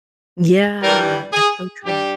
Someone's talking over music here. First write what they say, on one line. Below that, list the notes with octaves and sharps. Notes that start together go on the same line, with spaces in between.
Yeah, that's so true.
G2 E3 G3 A#4
G#4
G2 G3 G4